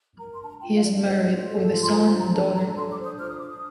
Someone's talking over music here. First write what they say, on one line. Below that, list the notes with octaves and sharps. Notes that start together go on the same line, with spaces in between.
He is married, with a son and a daughter.
A#4 A#5
C6
D4 A5
A#5
F4 G5
F5
D4 D5
D#5
C5 D#5
F4
A4
F4
C6
C5 A#5
C6
D4
A#5
A4 A5
D4 A#5
A4 C6
D6
C5
D#6
F4 F6
D#6
D4 D6
D#6